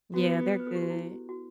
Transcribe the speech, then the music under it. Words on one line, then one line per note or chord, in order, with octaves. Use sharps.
Yeah, they're good.
B3 F#4
B4
A4
G4
F#4
E4
F#4